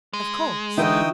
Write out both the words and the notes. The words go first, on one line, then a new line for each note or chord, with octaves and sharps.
"Of course!"
G#3
D3 E3 D#4 E4 F#4 G5 D#6